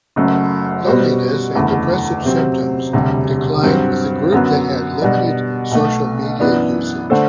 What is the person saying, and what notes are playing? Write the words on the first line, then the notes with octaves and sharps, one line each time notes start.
Loneliness and depressive symptoms declined with the group that had limited social media usage.
F#1 F#2 F#3 A3
B2 G3 B3 F#4 C5
F#1 E2 D3 A3 E4
C3 F#3 C4
E1 D2 C3 G3
G2 F#3 C4
F#2 D3 F#3 B3
B2 G3 D4
B1 B2 A3
F#2 E3 B3 D4
D3 A3 D4 A4 C5